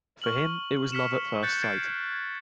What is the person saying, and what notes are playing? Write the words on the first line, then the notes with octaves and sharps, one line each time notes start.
For him, it was love at first sight.
C#6 F6 F#7
F6 B6 C#7 E7
F#6 G6 A6 C#7
G#6 A6 C7 D7
G#6